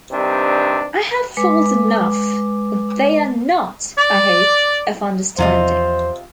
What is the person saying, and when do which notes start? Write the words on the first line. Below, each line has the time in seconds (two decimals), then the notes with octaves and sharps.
I have faults enough, but they are not, I hope, of understanding.
0.11 G2 C3 D#3 C4 D4
1.37 G#3 B4 D6
3.98 D5
5.38 E2 C3 F3 F4 C5 D#5